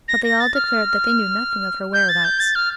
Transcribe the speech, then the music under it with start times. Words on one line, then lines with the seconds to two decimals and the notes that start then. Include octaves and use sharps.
But they all declared that they knew nothing of her whereabouts.
0.08 A#6
0.24 A#6
0.40 A6
0.55 F6
1.93 G6
2.09 A6
2.24 G6
2.40 A6
2.55 F6